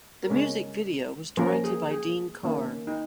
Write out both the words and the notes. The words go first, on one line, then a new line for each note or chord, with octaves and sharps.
The music video was directed by Dean Karr.
A#4
C#3 G#3 C#4 C#5
F3 A#3 C#4 A#4
G#4
G#4
D#3 A#3 C#4
D#4